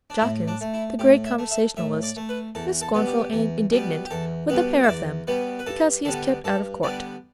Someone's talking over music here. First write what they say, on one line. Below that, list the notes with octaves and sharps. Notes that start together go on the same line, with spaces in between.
Jawkins, the great conversationalist, is scornful and indignant with the pair of them, because he is kept out of court.
D4
A2 E4
D4
A3
E4
A2 G4
E5
A3
E5
A2 E5
D5
A3
B4
E2 A4
A4
B2 G3 B3
G4
E2
B2 G3 B3
G4
E2 A4
B2 G3 B3 B4
E5
E2 D5
B2 G3 B3 B4
B4
G2 A4
D3 G3 B3 A4
G2 A4
D3 G3 B3 D5